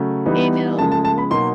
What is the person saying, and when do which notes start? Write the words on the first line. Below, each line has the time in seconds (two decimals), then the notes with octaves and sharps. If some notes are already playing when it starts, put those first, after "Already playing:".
You know?
Already playing: C#3 F#3 A3
0.26 E3 G3 B3 D#4
0.78 C#3 F3 G#3 A5
0.92 A5
1.05 A5
1.18 B5
1.30 B2 F#3 A#3 D#4 C6